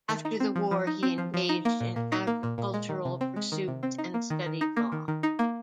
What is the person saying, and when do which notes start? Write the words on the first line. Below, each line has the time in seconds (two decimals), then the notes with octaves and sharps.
After the war, he engaged in agricultural pursuits and studied law.
0.09 D#3
0.25 D#4
0.40 C4
0.56 F3
0.71 F3
0.87 D#4
1.03 C4
1.18 F3
1.34 F3
1.49 D#4
1.65 A#3
1.80 A#2
1.96 A#2
2.12 D#4
2.27 A#3
2.43 A#2
2.58 A#2
2.74 G#3
2.89 D#3
3.05 C3
3.21 C4
3.36 G#3
3.52 D#3
3.68 C3
3.83 C4
3.98 D#4
4.14 A#3
4.30 D#3
4.46 D#3
4.61 D#4
4.77 A#3
4.92 D#3
5.08 D#3
5.23 D#4
5.39 A#3